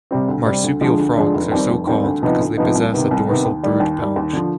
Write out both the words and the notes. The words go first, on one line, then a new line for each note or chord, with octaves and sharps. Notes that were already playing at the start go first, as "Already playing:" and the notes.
Marsupial frogs are so-called because they possess a dorsal brood pouch.
C3 G3 C4
D2
C3 G3 C4
D2
D3 F3 G#3 D4
D2
D3 F3 G#3 D4
F1
D#2 D#3 G3 C4
F1
D#2 D#3 G3 C4
D2
C3 F3 B3 D#4
D2
C3 F3 B3 D#4
C2
C3 D#3 B3
C2
C3 D#3 B3
D#2
D#3 G3
D#2
D#3 G3
D#2
D3 F3